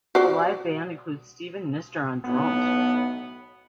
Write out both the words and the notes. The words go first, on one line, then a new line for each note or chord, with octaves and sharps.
The live band includes Steven Nistor on drums.
F#4 C5 D5
B1 A2 B3